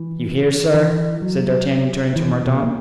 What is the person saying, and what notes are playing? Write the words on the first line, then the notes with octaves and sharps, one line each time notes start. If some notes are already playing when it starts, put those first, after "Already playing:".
"You hear, sir," said D'Artagnan, turning to Mordaunt.
Already playing: E3
E3
F#3
E3
B2
B2
A#3